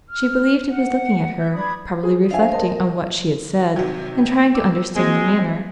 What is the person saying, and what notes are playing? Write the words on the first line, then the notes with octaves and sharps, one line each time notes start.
She believed he was looking at her; probably reflecting on what she had said, and trying to understand the manner.
F6
F#5
E5 G6
D4 B5 D#6 G#6
G#4
D4 C5 E5 F5 G#5
A#4 C5 D#5 A5
C3 D#3 F#3 F#4 G5
G5 D6 E6 E7
G#3 A#3 C4 F#4